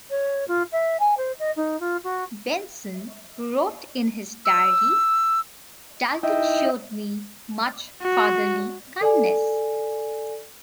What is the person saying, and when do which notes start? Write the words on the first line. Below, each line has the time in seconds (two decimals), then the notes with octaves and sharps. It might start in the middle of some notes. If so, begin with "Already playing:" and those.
Benson wrote in his diary "Dalton showed me much fatherly kindness".
0.10 C#5
0.48 F4
0.72 E5
0.99 G#5
1.17 C5
1.39 D#5
1.56 D#4
1.80 F4
2.04 F#4
4.45 E6
6.23 D#4 E4 D#5 E5 G5
8.02 F#4
9.01 A4 D5 G#5